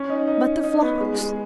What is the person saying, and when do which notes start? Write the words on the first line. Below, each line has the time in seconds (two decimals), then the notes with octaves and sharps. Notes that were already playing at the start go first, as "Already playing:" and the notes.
"But the flocks!"
Already playing: C#4
0.10 D#4
0.27 D#4
0.64 D#4
0.82 B3
1.01 G#3
1.18 G#3